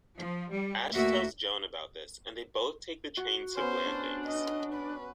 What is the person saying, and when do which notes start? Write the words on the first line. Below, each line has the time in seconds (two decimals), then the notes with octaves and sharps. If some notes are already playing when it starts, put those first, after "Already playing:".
Ashe tells Joan about this, and they both take the train to Blandings.
0.17 F3
0.52 G3
0.92 D2 A#3 F#4 E5
3.17 F#4
3.57 B3 C#4 C5
3.86 D4
4.25 D#5
4.74 B4